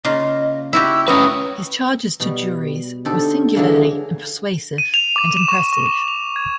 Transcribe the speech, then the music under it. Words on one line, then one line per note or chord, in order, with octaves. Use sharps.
His charges to juries were singularly persuasive and impressive.
C#3 A#3 F4 D#5
E4 F#4 G4 E6
C#4 F#4 A#4 B4 D#6
B2 G3
D3 C4 D#4 G4 A4
D3 E3 F#3 G#3 A#3
D#7
F7
D6
E7
C#6
C#6
E7
F7
G#6